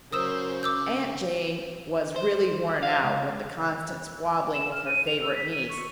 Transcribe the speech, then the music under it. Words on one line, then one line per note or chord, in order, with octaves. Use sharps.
Aunt Jane was really worn out with the constant squabbling with her favorite niece.
C#3 F#3 A#4 C5 D#6 E6 E7
A#4 D6 E6 G6
C5
F5
C#2
E7
F6
D#7
F7
E6
B6
D#7
C#6